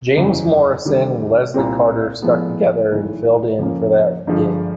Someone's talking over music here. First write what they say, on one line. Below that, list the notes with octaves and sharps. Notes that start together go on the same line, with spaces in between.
James Morrison and Leslie Carter stuck together and filled in for that gig.
F#1 E2 C#3 F#3
D#2 D3 G3
C2 A#2 G3 C4
A2 F3 G#3 B3 D#4
B1 A2 E3
F2 C#3 F3 A#3 C#4
G1 G2 D3 F3 G#3